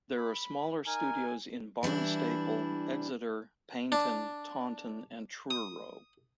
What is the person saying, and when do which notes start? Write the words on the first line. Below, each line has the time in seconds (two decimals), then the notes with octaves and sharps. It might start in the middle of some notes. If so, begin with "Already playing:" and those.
There are smaller studios in Barnstaple, Exeter, Paignton, Taunton and Truro.
0.17 B5
0.86 D#4 A#4 G#5
1.83 E3 G3 D4 E4
3.92 D4
5.51 D#6